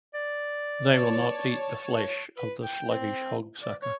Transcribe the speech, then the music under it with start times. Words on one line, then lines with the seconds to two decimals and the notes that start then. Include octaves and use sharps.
They will not eat the flesh of the sluggish hog-sucker.
0.14 D5
0.93 C#5 A5
2.38 B4
2.64 G5
2.90 C4
3.62 D5
3.82 C#5